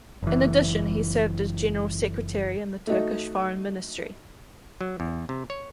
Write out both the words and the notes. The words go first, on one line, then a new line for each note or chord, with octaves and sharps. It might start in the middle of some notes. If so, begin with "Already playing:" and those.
In addition he served as General Secretary in the Turkish Foreign Ministry.
F#1 E3
A3 D#4 F#4
F#3
E2
C3
C#5